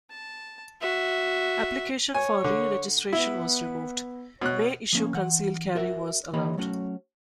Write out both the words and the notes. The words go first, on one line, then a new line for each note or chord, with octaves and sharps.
Application for re-registration was removed, May issue concealed carry was allowed.
A5
F#4 E5
C#5 G#5
D3
B3 E4
B2 C#5 F#6
F3 A#3 C#4
E3 F#5
F#4 A#4 E5
E3 A#3 G4 C#5 D#5 B5
F#3 A3 C#4 F#4